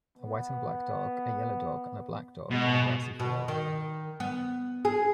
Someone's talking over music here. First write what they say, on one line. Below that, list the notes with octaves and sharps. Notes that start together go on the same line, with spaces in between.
A white and black dog, a yellow dog and a black dog in a grassy field.
B3
B2 G#3
B2
D#3
B3
G#4